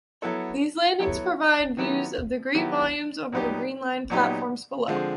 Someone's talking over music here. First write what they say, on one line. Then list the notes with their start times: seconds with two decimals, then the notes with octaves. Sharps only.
These landings provide views of the great volumes over the Green Line platforms below.
0.22 F#3 B3 E4 A4 C#5
0.99 F#3 B3 E4 A4 C#5
1.77 D#3 F#3 B3 E4 G4
2.55 D#3 F#3 B3 E4 G4
3.32 A#2 F#3 B3 D#4 G4
4.10 A#2 F#3 B3 D#4 G4
4.88 D3 F3 G#3 C4